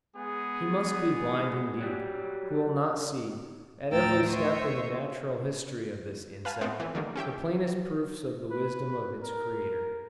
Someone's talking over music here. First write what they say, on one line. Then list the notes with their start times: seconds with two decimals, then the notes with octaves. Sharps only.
He must be blind indeed, who will not see, at every step in the natural history of this insect, the plainest proofs of the wisdom of its Creator.
0.16 G#3 B3 G#4
1.81 F#3 G3
3.90 D2 A2 G5 A#5 E6 A6
4.28 C5 C#5 D#5 E5
6.45 B4 F5 G#5 A5
6.61 A3 B3 C4
6.80 E3
6.95 D3 D#3 G3 A#3
7.16 C#4 G4 E5 G5
8.51 B4
9.22 A#4